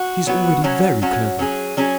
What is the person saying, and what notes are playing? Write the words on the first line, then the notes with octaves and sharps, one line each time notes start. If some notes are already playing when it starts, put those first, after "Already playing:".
She is already very clever.
Already playing: F#4
F#3 B3 F#4
F#3 C#4 F#4
F#3 C#4 F#4
F#3 C#4 G#4
F#3 C#4 G#4